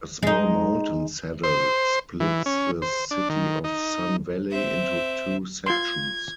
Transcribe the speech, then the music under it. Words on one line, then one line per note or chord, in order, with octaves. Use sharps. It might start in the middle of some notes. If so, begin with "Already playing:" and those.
A small mountain saddle splits the city of Sun Valley into two sections.
G#3 D#4
C5
E3
C#4
C5
D4
D#3
D#4
C4 E5
F4 C6 G#6